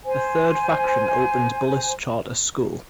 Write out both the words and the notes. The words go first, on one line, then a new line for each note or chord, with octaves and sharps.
A third faction opened Bullis Charter School.
C5 G#5